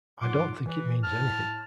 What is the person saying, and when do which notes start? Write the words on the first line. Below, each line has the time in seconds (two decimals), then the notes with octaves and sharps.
I don't think it means anything.
0.21 G#2 F#3 F4 F#5 C6 D6
0.65 E3
1.04 A2 A5 F6